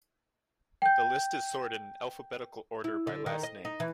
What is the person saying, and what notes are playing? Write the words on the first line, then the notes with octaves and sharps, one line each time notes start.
The list is sorted in alphabetical order by last name.
G5 G6
E4
D3
D#3
D#5
D#4
E3